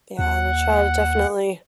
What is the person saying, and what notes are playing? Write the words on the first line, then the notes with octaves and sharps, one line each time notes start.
Yeah, and a child, definitely
D#2 F#5